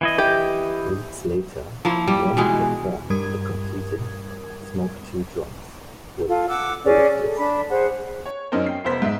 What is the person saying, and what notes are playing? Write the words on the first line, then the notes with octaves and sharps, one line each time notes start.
Weeks later, Mawg performed the completed "Smoke Two Joints" with "The Lifters".
E3 E4 D#5
G4
F3 A#3 E4
G3
B2 E3 G#3
G2 G3 A#4 D#6 G#6
F4 A4
F#5 D6 E6
C#4 G#4 D5
A4
D4 B5
G#4 C5 F#5
C#5
F#2 C#4 D#4 A#4 C5
G5 C7
F1 B3 C5 B6
G#2 E5